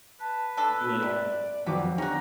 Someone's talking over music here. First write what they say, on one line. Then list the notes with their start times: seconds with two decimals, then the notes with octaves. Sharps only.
and do anything you want.
0.20 B4 A5
0.57 D4 A4
1.03 C3 D5
1.66 F2 F#3 B3 D6
1.98 D3 C#4 F#4 G4 A#5